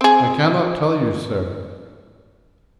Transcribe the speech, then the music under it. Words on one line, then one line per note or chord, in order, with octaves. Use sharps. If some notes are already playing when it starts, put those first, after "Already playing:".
"I cannot tell you, sir."
C4 G#4